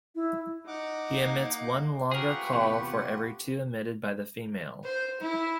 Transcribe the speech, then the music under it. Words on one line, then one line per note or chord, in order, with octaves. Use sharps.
He emits one longer call for every two emitted by the female.
E4
D#4 F#5 D6
A#3
F4 G4 G#4 A#4 B4 F#5 C#6
E2 C3
C5
E4